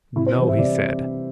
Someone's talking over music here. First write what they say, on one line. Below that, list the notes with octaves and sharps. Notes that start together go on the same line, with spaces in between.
"No!" he said.
C3 E4
C5
E3 G3 C5
E5
C3 D5